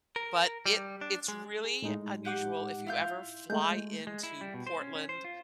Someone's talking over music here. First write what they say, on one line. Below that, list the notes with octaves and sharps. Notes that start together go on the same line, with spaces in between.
But it it's really unusual if you ever fly into Portland,
A#4
G3
D4
G#3
G#4
A2 G#3 D#4
G4 F#5 D6
E4 F4 G6
G#3 A3 G6
G#3
E4
G3
B2
C5
C#4
C#4
C5
F4